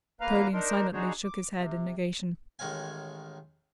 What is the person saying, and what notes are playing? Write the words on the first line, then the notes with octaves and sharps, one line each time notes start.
Napoleon silently shook his head in negation.
E2 A#3 B4 F5 A#5 F6
D4 D#4 A#4 C5
D4 D#4 F#4 G#4 C5 C#5
D6
C3
A1 D#3 G#3 C#5 F5 G#5